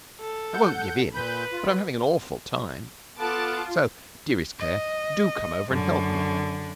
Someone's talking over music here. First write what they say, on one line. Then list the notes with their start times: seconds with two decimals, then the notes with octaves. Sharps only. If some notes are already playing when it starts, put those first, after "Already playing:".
I won't give in, but I am having an awful time. So, dearest Claire, do come over and help me.
0.20 A4
0.54 F#5 G6
1.14 A#2 B4 B5 G6
1.52 F4
3.20 B3 F4 A4 A5 D6
4.59 D#5
5.68 F#2 D3